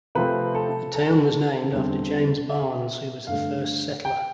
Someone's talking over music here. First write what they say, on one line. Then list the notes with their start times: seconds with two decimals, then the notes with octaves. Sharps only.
The town was named after James Barnes, who was the first settler.
0.15 C3 F3 A3 C4 B4
0.55 A4
0.94 A4
1.71 E2 D3 G3 C4
2.50 E5
3.27 G2 D3 A3 F5
4.05 G5